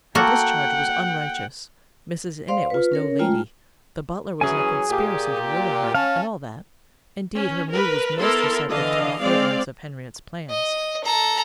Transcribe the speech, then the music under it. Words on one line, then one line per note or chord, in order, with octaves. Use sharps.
Her discharge was unrighteous; Mrs. Innitt was no lady; the butler was in a conspiracy to ruin her--and all that; indeed, her mood was most receptive to the furtherance of Henriette's plans.
A#3 F#4 A4 F#5 G5
C5 D5 F5 C6
F4 B4
C#4 A#4 C#5
G#3 A3 F4 G5 A#5
E3 F#3 C#4 G#4 G#5
A#2 G4
C#4 F5 A5
C#4
A#4 B4
B3 E4 A4 A#4 C6
D3 E3 D#5 F5
G#3 C4 D5 F5
D#5
A4 A#5